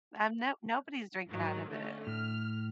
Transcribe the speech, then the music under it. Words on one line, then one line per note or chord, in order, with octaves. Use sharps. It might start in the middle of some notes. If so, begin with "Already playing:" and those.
Um, no nobody's drinking out of it.
G#2 D#3 F#3
D3 A3 C#4
A2 F6